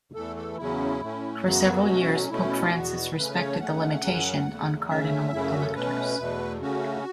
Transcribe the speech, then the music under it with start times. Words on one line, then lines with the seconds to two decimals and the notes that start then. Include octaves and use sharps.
For several years Pope Francis respected the limitation on cardinal electors.
0.14 E2 E3 A3 A4
0.37 A4
0.58 E2 C#3 F#3 C#4 E4
1.01 A2 A3 C#4
1.44 F#2 C#3 F#3 B3 F#4
1.87 B2 F#3 A3 C#4
2.30 B2 A3 C#4 E4
2.74 E2 B2 B3 F#4
3.16 C#3 A3 C#4 B4
3.38 C#5
3.55 A5
3.59 C#3 A3 C#4 F#5
4.02 F#2 C#3 F#3 C#4
4.45 E2 C#3 A3
4.88 C#3 A3 C#4 E5
5.32 F#2 C#3 A3 C#4 E4
5.47 F#4
5.61 A4
5.75 B2 A3 C#4 B4
6.18 E2 B2 A3
6.61 C#3 A3 C#4 F#4